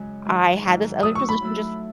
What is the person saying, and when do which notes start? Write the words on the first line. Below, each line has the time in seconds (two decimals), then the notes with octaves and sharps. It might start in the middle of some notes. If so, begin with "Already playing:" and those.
I had this other position just
Already playing: F#2 C#3 G#3 C#4
0.25 G#2 D#3 F#3
0.64 G#2 D#3 F#3
1.03 F#3 A3 E4 A4 D#6
1.15 C#6
1.29 B5
1.42 F#3 A3 E4 A4